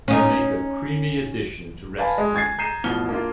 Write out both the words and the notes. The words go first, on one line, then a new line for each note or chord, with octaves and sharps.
They make a creamy addition to recipes.
C#4 D#4
B4 D5 F5 G#5 A5 B5
G#3
G#5 G#6 A6 C7
A#5 G6 C7 D#7 E7
A1 F2 B2 F6 G7
A#3 D4 F4